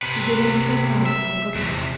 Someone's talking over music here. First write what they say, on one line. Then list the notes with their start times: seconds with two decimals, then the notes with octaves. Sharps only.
He did not turn round a single time.
0.03 C3 B4
1.06 E5
1.55 E2 C3